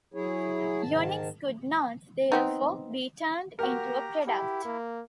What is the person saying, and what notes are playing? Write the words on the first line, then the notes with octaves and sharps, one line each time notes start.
Unix could not, therefore, be turned into a product.
F#3 E4 G#4 C#5
G#2 D#3 A5
B3 C4 D#4
A#3 F#4 G4 A#4 A#5
E4 G4
A#3